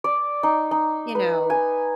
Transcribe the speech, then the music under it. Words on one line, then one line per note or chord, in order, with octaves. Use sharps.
you know
D5
D#4
D#4
B4
G#5